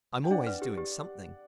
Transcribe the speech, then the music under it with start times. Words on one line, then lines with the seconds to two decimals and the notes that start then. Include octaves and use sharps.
I'm always doing something.
0.24 G5
0.31 D4 D5 F#5
0.47 B4
0.62 G4
0.78 G4